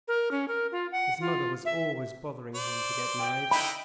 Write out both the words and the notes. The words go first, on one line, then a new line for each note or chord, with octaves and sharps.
His mother was always bothering him to get married.
A#4
C#4
A#4
F4
F#5
F4
E5
C5 D5
G5
D3 D#4 E4 B5